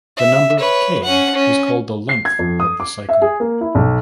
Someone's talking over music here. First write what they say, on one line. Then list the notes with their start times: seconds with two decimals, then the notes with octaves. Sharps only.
The number "k" is called the "length" of the cycle.
0.17 E5
0.59 B4 C#5
1.04 C#4 F#5
1.35 C#4
2.09 C7
2.25 G#6
2.39 F2
2.60 D#6
2.80 D6
3.09 E5
3.22 G#4
3.40 A#3
3.61 E4
3.75 B1